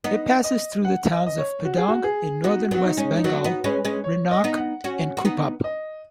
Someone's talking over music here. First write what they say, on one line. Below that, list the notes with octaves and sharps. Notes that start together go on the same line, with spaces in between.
It passes through the towns of Pedong in northern West Bengal, Rhenok, and Kupup.
B3 D#4 D#5
D#5
F#5
D#5
D#5
C#5
F#4
G#4
F#4
G#4
B3 D#4 F#4
F#3 B3 F#4
D#4
G#3 C#4
D#4
F#3 B3 F#4
B3 D#4
G#3 C#4 B4
G#3 C#4
C#5
D#5
B3 D#4
F#5
C#4 F#4
F#4
B3 D#4
D#5